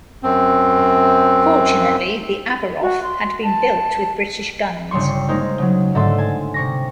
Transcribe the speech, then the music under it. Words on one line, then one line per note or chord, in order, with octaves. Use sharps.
Fortunately, the "Averof" had been built with British guns.
F#2 C4
F#4
C6
A5
G1 C#3 G3 C6 C#6
G#3 A#3 D#4 C5
C#3 F#3
G#2 D3 A3 A4 E5 C6
G#5 A5
C3 C#6 A#6